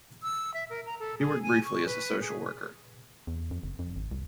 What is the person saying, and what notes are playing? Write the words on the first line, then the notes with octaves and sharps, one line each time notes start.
He worked briefly as a social worker.
E6
E5
A#4
A#5
A4
G#4
G#5
C#6
B4
G#4
E2
F2
F#1
F2
G#1
C2